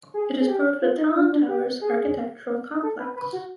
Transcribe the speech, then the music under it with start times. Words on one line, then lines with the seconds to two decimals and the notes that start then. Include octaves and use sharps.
It is part of the Talan Towers architectural complex.
0.14 G#4
0.40 G#4
0.48 G4
0.82 F4
0.97 D#4
1.15 D4
1.32 D4
1.48 G4
1.81 G#4
2.83 A4
2.99 B4
3.16 B4
3.33 F#4